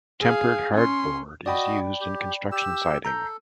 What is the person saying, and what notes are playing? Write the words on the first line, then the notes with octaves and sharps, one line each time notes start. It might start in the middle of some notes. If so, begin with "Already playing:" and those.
Tempered hardboard is used in construction siding.
G#4 F5
C#4 C6
F#4 D5 D#5 G5 B5
G4
G4 E6
A4 A#5 G6